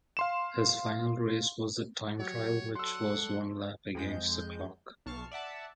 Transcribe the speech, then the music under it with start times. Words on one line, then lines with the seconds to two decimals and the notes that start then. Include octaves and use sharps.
His final race was the time trial which was one lap against the clock.
0.17 F5 C6 E7
2.19 F#3 G4 C#5 F#5
2.75 D4 A4 F#5 C6 E6
3.95 F2 G#3 G6
5.06 B1 A5 C#6 F6 C7
5.31 D5 E5 F#5 A5